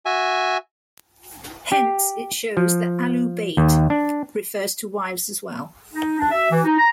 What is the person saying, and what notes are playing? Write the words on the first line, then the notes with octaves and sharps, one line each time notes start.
Hence, it shows that Ahlul-bayt refers to wives as well.
F#4 E5 G#5
G4
F3
D#2
D4
D#4
D4
E5
E3
D#4
A#5